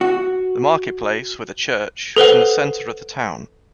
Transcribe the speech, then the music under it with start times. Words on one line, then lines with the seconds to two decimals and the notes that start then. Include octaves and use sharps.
The market place with a church was in the centre of the town.
0.01 F#4
2.16 A4 B4 C5 F#5